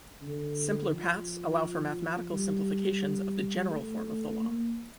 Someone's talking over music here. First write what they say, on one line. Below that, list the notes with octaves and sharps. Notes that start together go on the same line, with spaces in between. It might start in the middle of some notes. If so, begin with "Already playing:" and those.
Simpler paths allow for mathematical simplifications of the general form of the law.
D3
F3
G3
A3
A#3